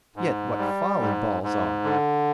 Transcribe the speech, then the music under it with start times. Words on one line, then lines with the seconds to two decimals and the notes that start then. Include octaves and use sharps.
Yet what folly balls are!
0.16 G#2
0.59 G3
1.00 G#2
1.43 G#2
1.84 D3